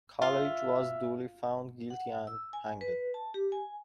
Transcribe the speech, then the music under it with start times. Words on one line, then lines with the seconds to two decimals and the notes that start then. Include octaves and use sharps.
College was duly found guilty and hanged.
0.22 F4 E5
1.90 F#5
2.27 E6
2.53 G#5
2.81 B4
3.14 A5
3.34 G4
3.52 G#5